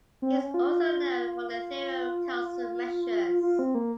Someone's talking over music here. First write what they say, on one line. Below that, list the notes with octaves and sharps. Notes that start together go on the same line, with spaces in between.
He is also known for the theory of Carleson measures.
C4
C#4
F4
F4
F4
F4
C4
A#3